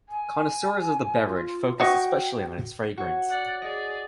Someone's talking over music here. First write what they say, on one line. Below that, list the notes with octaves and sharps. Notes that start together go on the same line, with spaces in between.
Connoisseurs of the beverage focus especially on its fragrance.
G#5
F4
F#4 D#5 G5 C#6
F#4 C#5
D5 F#5
G#4 D5 D#5